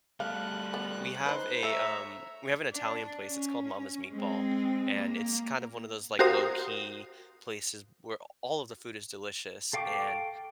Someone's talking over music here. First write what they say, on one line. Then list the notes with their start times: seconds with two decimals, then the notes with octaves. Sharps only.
we have eh, um, we have an Italian place. It's called Mama's Meatball, and it's kind of one of those, like, low-key places where all of the food is delicious, and
0.20 G3 A3 F5 F#6
0.74 B3
1.26 D#4 B4 C5
1.63 A3 C#5 E5 A#5
2.72 D4
3.28 C#4
4.11 G#3 C4
4.95 A#3
6.19 F#4 G4 A#4 C5 F5 D#6
9.73 A4 F5 G5 C#6 D6